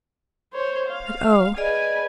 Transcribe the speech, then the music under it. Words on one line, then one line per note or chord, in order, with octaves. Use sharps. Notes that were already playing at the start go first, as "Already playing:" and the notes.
But oh!
C5 C#5
F5
G#4 B4 D5 D#5 G#5